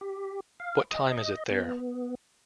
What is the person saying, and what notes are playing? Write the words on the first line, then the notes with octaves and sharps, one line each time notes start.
What Time Is It There?
G4
F5
D#5
B3